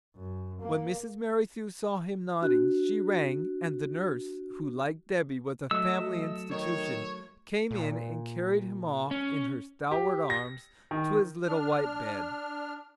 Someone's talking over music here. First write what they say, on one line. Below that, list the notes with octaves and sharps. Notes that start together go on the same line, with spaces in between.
When Mrs. Merrithew saw him nodding, she rang, and the nurse--who, like Debby, was a family institution--came in and carried him off in her stalwart arms, to his little white bed.
F#2
A#3
D4 F#4 F#6
F#3 A3 D#5 E6
D#3 C#5
A#2
C#4
G4
A#6
D#3
D4 F6